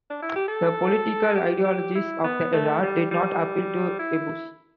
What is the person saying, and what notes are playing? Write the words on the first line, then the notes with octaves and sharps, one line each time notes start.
The political ideologies of the era did not appeal to Ibuse.
D4
E4
G4
A4
G4
G4
E4
B3
A3
G3
G3
E4